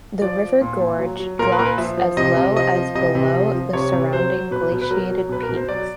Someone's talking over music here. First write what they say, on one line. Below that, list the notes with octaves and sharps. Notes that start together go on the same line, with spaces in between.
The river gorge drops as low as below the surrounding glaciated peaks.
F3 D5
F3
A#2
A#2
F#3
F#3
A#2 A#4
B4
A#2 A#4
B4
F3 E5
F3
C3 D#5
C3
F3 D#5
F3
C3 D#5
C3
F3
F3
C3 C#5
C3
F#3 C5
F#3
B2 B4
B2
B4
F#3 A#4
F#3
B2 B4
A#4
B2
C5
F#3 D5